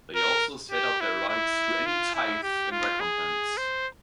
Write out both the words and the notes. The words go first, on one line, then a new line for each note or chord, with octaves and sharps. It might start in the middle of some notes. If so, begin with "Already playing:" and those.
They also set out their rights to any tithe in recompense.
A#4
G4
E4
E4
F4
E4
G4
F4
G#4
C5